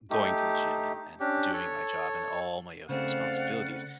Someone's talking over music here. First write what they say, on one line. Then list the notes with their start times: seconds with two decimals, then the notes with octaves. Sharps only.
going to the gym and and doing my job and all my other responsibilities,
0.11 A3 D#4 G4
1.20 C#4 D4 G4
1.53 A4 C#5
2.89 C#3 A3 C4 C5 D5 F5 F#5